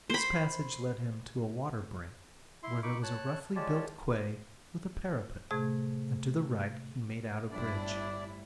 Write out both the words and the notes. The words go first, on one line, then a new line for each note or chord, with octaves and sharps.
This passage led him to a water-brink, where there was a roughly built quay with a parapet, and to the right he made out a bridge.
C5 B5
E4 C6
D#4 B5 C#6 D6
C#5 A5 F#6
G#3 F4 G4 C#5 D5 A5
A2 C3 A3 G#4 G#6
G1 A2 G3 D4 E4 D5